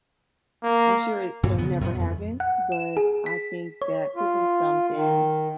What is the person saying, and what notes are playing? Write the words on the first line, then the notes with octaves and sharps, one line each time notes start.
I'm sure it it'll never happen, but, I think that could be something
A#3
G2 A#2 E3
C#3 B3
F#2 A#2 B3
F2
F#5
E7
G#4
B6
C#5
F4
D#3